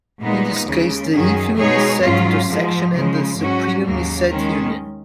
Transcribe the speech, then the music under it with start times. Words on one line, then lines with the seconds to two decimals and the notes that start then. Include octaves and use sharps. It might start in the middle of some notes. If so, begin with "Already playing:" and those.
In this case, the infimum is set intersection, and the supremum is set union.
0.20 A#2 G#3 B3 D#4
0.66 D#2 C#3 G#3
1.12 F#2 D#3 F#3 C#4 G#4
1.57 B2 G#3 D#4 G#4 C#5
2.02 G#2 F#3 C#4 F4
2.48 G#2 F3 G#3
2.93 C#3 F3 G#3
3.38 G#2 F#3 C#4 F#4
3.84 D#2 C#3 F#3 A#3
4.30 D#3 G#3 C#4